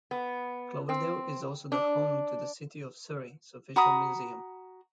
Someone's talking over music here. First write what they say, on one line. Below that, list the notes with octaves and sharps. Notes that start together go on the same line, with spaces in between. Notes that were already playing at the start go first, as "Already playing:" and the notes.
Cloverdale is also the home to the City of Surrey's official Museum.
B3
C4
D4
F#4 A#5 B5 D#6